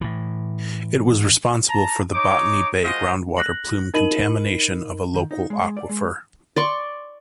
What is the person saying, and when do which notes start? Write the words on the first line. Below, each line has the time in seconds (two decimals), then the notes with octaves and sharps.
It was responsible for the Botany Bay Groundwater Plume contamination of a local aquifer.
0.01 A2 E3
1.68 A5 A#5
2.14 D#4 C#5 D6
2.83 G#3 F4 F#4 C5 D#5
3.37 F#6 A#6 F#7
3.94 D#4 A#4 D#5 B5 D#7 F#7
5.14 D#3
5.31 D#4
5.50 G#3
5.62 G#3
5.77 D5
5.89 G#3
6.56 D5 C6 C#6